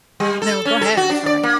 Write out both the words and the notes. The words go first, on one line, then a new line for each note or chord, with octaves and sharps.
No, go ahead, I'm sorry.
G3
A4
C#4
A4
F#4
D4
D5
A#3